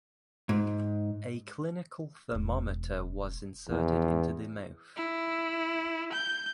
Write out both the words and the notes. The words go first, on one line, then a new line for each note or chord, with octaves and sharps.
A clinical thermometer was inserted into the mouth.
G#2
E1 C4
E2 F3
E4
G6